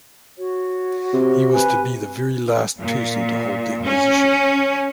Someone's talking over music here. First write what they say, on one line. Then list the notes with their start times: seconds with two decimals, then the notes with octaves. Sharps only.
He was to be the very last person to hold that position.
0.38 F#4 C#5
1.14 C3
1.53 B4 G#5
2.78 A#2
3.84 C#4